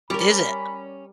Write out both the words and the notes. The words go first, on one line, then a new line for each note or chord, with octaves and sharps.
Is it?
G3 C#4 A#4 D5 B5